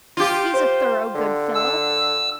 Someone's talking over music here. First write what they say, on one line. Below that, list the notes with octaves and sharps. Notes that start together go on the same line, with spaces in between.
He's a thorough good fellow.
F4 G4
C5
D3
E6